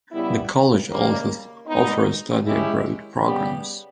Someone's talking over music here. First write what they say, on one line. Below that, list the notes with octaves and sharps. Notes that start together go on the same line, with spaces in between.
The college also offers study abroad programs.
C#3 G3 B3 E4
D#2 C#3 G3 A#3
A#2 G#3 B3 D#4
D#3 G#3 C#4 E4 G4
C#3 G3 B3 G4